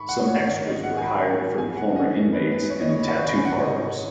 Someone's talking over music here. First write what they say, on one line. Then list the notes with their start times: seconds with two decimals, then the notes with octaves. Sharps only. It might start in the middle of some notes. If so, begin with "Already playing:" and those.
Some extras were hired from former inmates and tattoo parlors.
Already playing: G#2 D#3 B5 C#6
0.09 F#5
0.27 C#5
0.46 D#3 C#5
0.50 G#2
0.65 D#5
0.83 F#5
0.97 G#5
1.02 B5
1.58 G#5
1.77 F#5
1.96 F#2 D#5
2.00 D#3
2.14 D#5
2.33 B4
2.51 B4
2.70 C#5
2.81 D#5
2.89 C#5
2.99 B5
3.07 C#6
3.26 B5
3.37 G#5
3.45 G#2 D#3 F#5
3.64 D#5
3.83 C#5